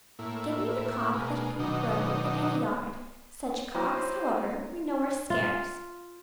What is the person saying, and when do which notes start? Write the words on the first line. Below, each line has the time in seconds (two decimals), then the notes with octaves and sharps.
Give me the cock that can crow in any yard; such cocks, however, we know are scarce.
0.19 A2 A#3 E4
1.13 B2 G#3 A#3
1.59 B2 D#3 F#3 D4 D#4
3.75 F#3 E4 C5 G5 A#5 C6
5.30 F4